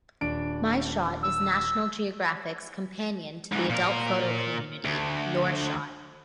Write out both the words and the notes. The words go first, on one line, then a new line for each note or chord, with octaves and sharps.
My Shot is National Geographic's companion to the adult photo community "Your Shot".
D#1 D4 D7
E6
G#2 E3
A#2 A#4
D2